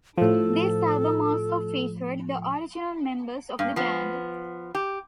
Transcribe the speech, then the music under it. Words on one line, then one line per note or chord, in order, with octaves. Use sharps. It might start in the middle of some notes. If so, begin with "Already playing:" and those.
This album also featured the original members of the band.
A2 F3 A4
G2
F3 B3
G4